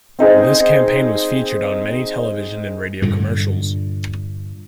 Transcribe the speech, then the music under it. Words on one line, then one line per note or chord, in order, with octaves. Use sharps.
This campaign was featured on many television and radio commercials.
C4 D#4 G#4 C5
G2 A#2 D3